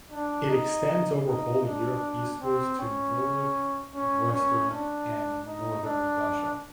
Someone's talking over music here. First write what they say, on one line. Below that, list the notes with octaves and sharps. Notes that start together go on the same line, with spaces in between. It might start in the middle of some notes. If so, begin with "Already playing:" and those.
It extends over whole Europe eastwards to Northwestern and Northern Russia.
D4
D#4
D#4
D4
C4
C#4
C#4
C#4
D4
D#4
D4